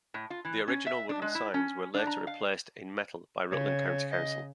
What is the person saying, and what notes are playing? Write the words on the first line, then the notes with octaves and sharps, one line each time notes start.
The original wooden signs were later replaced in metal by Rutland County Council.
A2
F4
E3
C#4
E5
D4
G#3
E4
C#4
D4
A#5
F5
C#3 C#5
D#5